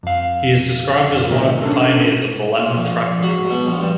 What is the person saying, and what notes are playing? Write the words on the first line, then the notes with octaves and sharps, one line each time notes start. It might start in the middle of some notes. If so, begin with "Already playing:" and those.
He is described as one of the pioneers of the Latin trap movement.
F2 F5
B1 A2 D#3 G4 A#4 D#5
C#4 D4 F#4 A4 A#4
A#2
A#1
F#3
B2
A#1
G2